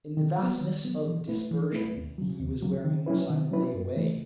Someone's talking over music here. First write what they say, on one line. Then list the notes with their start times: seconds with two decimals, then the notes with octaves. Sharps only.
In the vastness of dispersion he was wearing silently away.
0.17 D#3
0.38 F#3 B3
0.61 D#3
0.84 F#3 B3
1.06 E3
1.28 A3 E4 B4
1.51 E3
1.73 A3 E4 B4
1.96 D#2
2.18 C#3 F#3
2.40 D#2
2.62 C#3 F#3
2.84 D#3
3.07 F#3 C#4 E4 B4
3.30 D#3
3.51 F#3 C#4 E4 B4
3.74 F#2
3.97 C#3 E3 A3